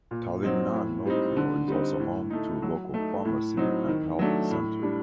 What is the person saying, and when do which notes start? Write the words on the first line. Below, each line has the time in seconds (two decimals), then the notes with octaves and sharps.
Tallinnanaukio is also home to local pharmacy and health center.
0.11 A#2
0.43 F#3 C4 D#4
0.74 A2
1.06 G3 C4 D#4
1.37 D3
1.68 G3 C4 D#4
2.00 A2
2.30 A3 D#4
2.62 F#3
2.94 A3 D#4
3.25 A2
3.57 F#3 C4 D#4
3.88 D#3
4.19 F#3 A3 D4
4.51 A2
4.82 G3 D4